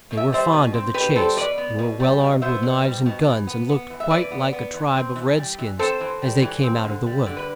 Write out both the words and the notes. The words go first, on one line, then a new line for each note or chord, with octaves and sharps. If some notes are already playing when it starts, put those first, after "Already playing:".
They were fond of the chase, and were well-armed with knives and guns, and looked quite like a tribe of red-skins as they came out of the wood.
B2
E5
G3 C5 E5
B2
C4
B2 G4 B4
G3 A4 C5
B2 B4 D5
B3
B2
G3
B2
B3 C5 E5
B2
G3
B2
E3
B3
B3
E3
E5
E3 B4 D5
B3
B3
E3
C4
E3
G3
E3
C4 A4 C5
E3
G3
E3
C4
D3
G3
D3
B4